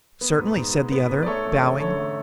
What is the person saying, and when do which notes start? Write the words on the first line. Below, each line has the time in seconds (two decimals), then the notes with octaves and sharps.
"Certainly," said the other, bowing.
0.21 B3
0.38 G#2
0.56 G#2
0.74 G#3
0.92 B3
1.10 G#2
1.23 D5
1.26 A3 A4 C#5
1.45 E2
1.62 C#4
1.80 D3 A4 C#5
1.98 A3